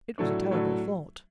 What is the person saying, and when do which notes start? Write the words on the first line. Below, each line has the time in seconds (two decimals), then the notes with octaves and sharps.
It was a terrible thought.
0.18 A2 F#3 A3 D4
0.51 A2 F#3 A3 D4